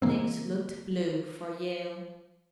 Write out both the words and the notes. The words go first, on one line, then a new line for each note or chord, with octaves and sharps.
Things looked blue for Yale.
C#3 E3 A#3 C4